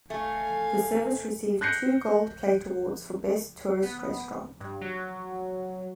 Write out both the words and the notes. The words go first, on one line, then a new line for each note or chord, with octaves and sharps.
The service received two Gold Plate awards for "Best Tourist Restaurant".
A3 F5 G#5
F#6 G6 A#6 C7 C#7
B3
G2
F#3